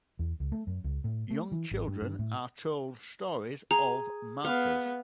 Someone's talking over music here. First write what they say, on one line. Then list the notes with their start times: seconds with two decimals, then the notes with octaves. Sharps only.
Young children are told stories of "martyrs".
0.19 E2
0.40 C#2
0.52 A3
0.67 F#2
0.84 C#2
1.04 A2
1.30 A3
1.52 E3
1.71 G#1
1.87 G2
2.02 G2
2.19 A2
3.71 G#4 A#5
4.45 B3 F5